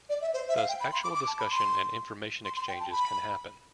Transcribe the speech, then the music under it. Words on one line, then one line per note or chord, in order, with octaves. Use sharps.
Thus, actual discussion and information exchanges can happen.
D5
E5
C5
E5
F5
G5
B5
C6
D6
D6
A5
B5
C6
C6
C6
G5
A5
B5